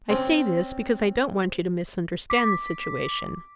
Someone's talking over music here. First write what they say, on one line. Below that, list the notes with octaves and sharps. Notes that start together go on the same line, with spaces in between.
I say this, because I don't want you to misunderstand the situation.
C4 C#4
D6 B6